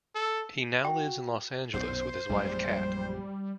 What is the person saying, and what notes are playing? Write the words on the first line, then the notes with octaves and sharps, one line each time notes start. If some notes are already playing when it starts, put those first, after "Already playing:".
He now lives in Los Angeles with his wife Kat.
A4
F#4 G5
B1 F#2 A#2 C5
A#1 F#2 G3 G#3